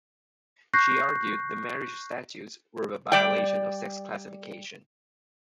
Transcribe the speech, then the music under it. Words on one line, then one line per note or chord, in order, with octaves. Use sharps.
She argued the marriage statutes were a violation of sex classification.
C#6 F#6 G6 A#6 C7
G3 D5 G5